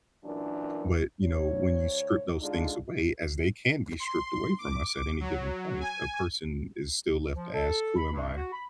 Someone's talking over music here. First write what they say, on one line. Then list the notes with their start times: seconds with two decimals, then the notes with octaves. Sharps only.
but, you know, when you strip those things away- as they can be stripped away from us at any given point- a person is still left to ask, "Who am I,
0.24 F#2 A#2 E3 D4
1.25 D2 C#5
2.41 D3 G#3 D4 D#4 F4
4.00 C6
4.59 D6
5.20 F#3
5.80 G#5
7.35 F3
7.53 A4
7.96 B5
8.12 G2
8.36 F#4
8.52 B5